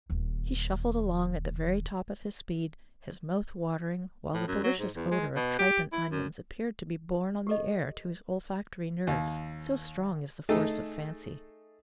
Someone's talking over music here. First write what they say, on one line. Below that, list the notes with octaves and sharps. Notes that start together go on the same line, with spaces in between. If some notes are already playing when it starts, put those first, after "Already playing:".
He shuffled along at the very top of his speed, his mouth watering, while the delicious odour of tripe and onions appeared to be borne on the air to his olfactory nerves: so strong is the force of fancy.
D#1 D#2
A2
F#2
F#3
G#2
E2
G#3
B2
G4
E4
F#2
G4 A4 D#5
D#2
A3 D#4 G#4 A4